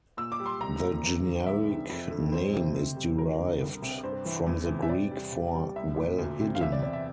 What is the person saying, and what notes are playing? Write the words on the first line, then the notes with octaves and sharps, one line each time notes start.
The generic name is derived from the Greek for "well hidden".
A#2 E6
D6
G3
C6
C2 A#5
A#2
E2
D3
C2 E5
C3
F2
D3
F2 C5
C3
C3
G3
D2 A#4
D3
C2
C3
G2 C5
E3
E2
C3
E5
C3 D5
G3
C3
G3
C2 E5
A#2
D2
C3
F5
E2 E5
D5
C3 D5
E5